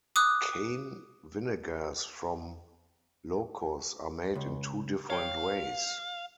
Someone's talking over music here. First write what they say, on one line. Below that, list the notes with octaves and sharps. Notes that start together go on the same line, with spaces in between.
Cane vinegars from Ilocos are made in two different ways.
D6 D#6 F#6
C#2
C#5 F5 G5